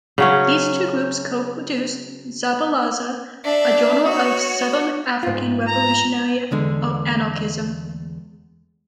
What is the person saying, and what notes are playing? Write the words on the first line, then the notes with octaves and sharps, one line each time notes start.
These two groups co-produced "Zabalaza: A Journal of Southern African Revolutionary Anarchism".
C#3 F#3 C#4
D4 E5
F#4 C#5
G#2 F4
A#5
E2 D3 G#3